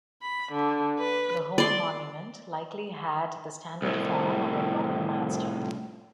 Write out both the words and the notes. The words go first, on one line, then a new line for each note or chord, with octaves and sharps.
The whole monument likely had the standard form of a Roman milestone.
B5
D3
B4
D5 C6
C2 A2